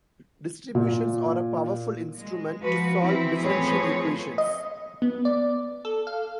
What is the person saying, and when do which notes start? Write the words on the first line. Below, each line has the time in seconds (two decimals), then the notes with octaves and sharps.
Distributions are a powerful instrument to solve differential equations.
0.75 A#2
2.18 G#3
2.61 F3 F#4 B4
3.01 E3 C4 E4
3.43 A2 F3 C4 G#4 B4 C#5
4.38 D#5
5.02 B3
5.25 D5
5.85 A4
6.07 F5